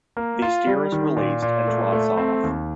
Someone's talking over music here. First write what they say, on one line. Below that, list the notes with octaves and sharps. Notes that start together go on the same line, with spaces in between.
The steer is released and trots off.
A#3
F4
G3
D#3
A#2
A#2
A3
A3
C4
D#2